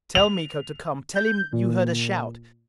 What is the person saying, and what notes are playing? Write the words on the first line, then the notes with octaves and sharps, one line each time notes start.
Tell Miko to come--tell him you heard a shout.
F7
G6
A#2